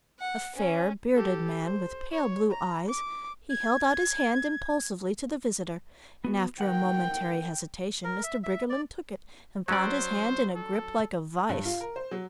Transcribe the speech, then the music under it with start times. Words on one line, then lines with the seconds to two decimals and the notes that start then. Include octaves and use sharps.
A fair, bearded man, with pale blue eyes, he held out his hand impulsively to the visitor, and after a momentary hesitation, Mr. Briggerland took it and found his hand in a grip like a vice.
0.19 F#5
0.55 C#4
1.14 G4 A4
1.65 C5
2.11 C#5
2.50 A#5
2.89 D6
3.49 G#6
6.24 B3 F#4
6.61 A#4 F#5 G5
8.04 A#4
8.24 E5
8.44 E5
8.70 D5
9.68 F#3 C#4 C5 D5
10.55 A4
11.49 G2
11.65 F4
11.81 A#4
11.96 C5
12.11 F#3